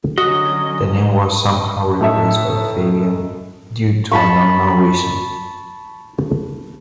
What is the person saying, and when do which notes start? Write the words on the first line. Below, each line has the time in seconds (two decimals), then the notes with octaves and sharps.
The name was somehow replaced by Fabian due to an unknown reason.
0.18 D3 F#3 C#4 F#4 D#5
0.95 G#2
2.01 A2 A3 D#4 A4 E5
4.12 A5 B5 C#6